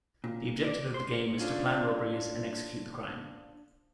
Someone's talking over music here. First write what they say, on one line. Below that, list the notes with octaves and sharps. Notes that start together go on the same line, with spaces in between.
The objective of the game is to plan robberies and execute the crime.
A#2
D5
C5
C#4 D4 F4 A4 C5